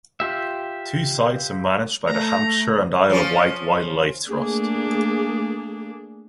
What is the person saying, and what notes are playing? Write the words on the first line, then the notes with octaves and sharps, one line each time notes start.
Two sites are managed by the Hampshire and Isle of Wight Wildlife Trust.
F4 G4 E5
A3 A#5
F3 C#4
A3 A#3 D4 G#4